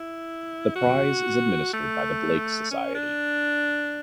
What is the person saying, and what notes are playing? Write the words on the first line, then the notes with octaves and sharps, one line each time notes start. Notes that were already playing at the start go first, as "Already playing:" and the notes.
The prize is administered by the Blake Society.
Already playing: E4
F#4
A3
C#4
D4